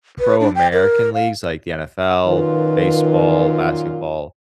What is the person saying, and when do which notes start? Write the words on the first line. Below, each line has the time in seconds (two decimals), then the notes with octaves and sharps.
pro American leagues like the NFL, baseball, basketball,
0.20 B4
0.40 D4
0.55 G5
0.73 A#4
1.14 F5
2.27 F#2 A#2 D#3 F4 B4